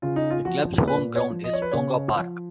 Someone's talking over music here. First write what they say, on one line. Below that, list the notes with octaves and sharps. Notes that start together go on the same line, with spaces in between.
The club's home ground is Tonga Park.
C#3 F4
D#4
F4
F3 F#4
A#2 B4
C#5
F3
D#5
C#5
B4
C#3 C#5
F3